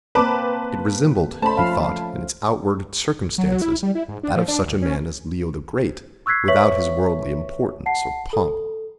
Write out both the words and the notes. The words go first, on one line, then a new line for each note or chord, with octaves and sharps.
It resembled, He thought, in its outward circumstances that of such a man as Leo the Great, without His worldly importance or pomp.
A#3 C4 A#4 B4 A5 D6
A3 C#4 C5 A5 B5
F3 F5
F#3
E4
G3
E4
G#2
D4
F3
D4
D2
C#4
C#6 E6 F#6 G#6 B6 C7
B4 C#5 E5 C#6 B6 F#7
F#5 A5 C7
A4